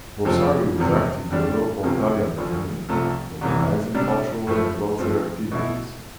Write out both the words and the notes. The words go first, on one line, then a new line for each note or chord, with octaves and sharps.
Borsari was active in the local Italian community, organising cultural and welfare activities.
F2 C3 F3 A3 C4
E2 C3 F3
F2 D3 G3 D4
D2 C3 F3 C4
D2 D3 F3
C2 C3 F3 A3
C2 C3 E3
C3 G3 D4
A2 F3 A3
G2 F3 A3 C4
B2 A3 E4